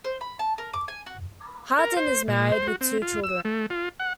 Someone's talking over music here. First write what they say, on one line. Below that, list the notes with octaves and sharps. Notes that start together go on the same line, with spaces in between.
Hardin is married, with two children.
C5
B5
A5
A#4
D6
G#5
F#4
A#4
C5
A#2
C5
F#4
C4
F4
E6
A3
F4
F#5